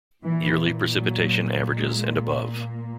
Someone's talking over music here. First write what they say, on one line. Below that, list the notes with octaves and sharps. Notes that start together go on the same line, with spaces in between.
Yearly precipitation averages and above.
A#2 E3
F#3
G#3
A#3